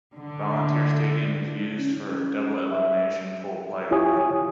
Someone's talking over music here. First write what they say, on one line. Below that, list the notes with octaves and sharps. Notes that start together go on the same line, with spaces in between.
Volunteer Stadium is used for double-elimination pool play only.
D3
C#4
E5
E4 F4 G4 C#5 G#5 D#6